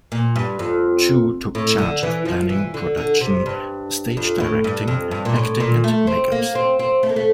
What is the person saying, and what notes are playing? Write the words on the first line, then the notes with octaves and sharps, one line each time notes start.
Chu took charge of planning, production, stage directing, acting, and makeups.
A#2
G2
F2
A2
D3
E3
F3
E3
D3
D3
C3
G2
F2
A2
G2
F2
G2
A#2
A2
A#2
A3
C4
A#3
C4
C4
A3
A#3
A3